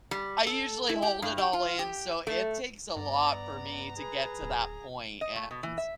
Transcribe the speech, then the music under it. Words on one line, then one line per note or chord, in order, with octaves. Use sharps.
I usually hold it all in, so it takes a lot for me to get to that point, and,
G3
A4
E4
G4
G2
G4
F4
G4
A3
G2 B3 D5 A#5
G#4 B4
D1
D#5
A3
B2
E3
E5